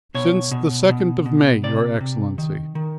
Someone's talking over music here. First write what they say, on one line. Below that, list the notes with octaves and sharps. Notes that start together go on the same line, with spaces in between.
"Since the second of May, your Excellency."
B2 C#5
B2
B2
B2
C3 D5
C3
D#3
D#3